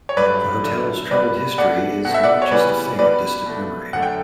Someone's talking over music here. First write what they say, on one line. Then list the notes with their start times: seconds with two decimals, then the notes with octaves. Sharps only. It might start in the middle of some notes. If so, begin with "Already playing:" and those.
The Hotel's troubled history is not just a thing of distant memory.
0.09 C#5
0.17 G2 F#3 A3 B4 D5
0.64 F#2 D3 A3
1.11 B2 G3 B3 B4 D5
1.58 B2 A3 D5 F#5
2.05 B2 A3 F#5
2.14 E5
2.23 D5 F#5
2.42 C#5
2.51 C#3 E3 G3 B3 B4 D5
2.99 B2 G3 B3 B4 D5
3.46 B2 A3
3.93 F#2 D3 A3 F#5
4.02 G5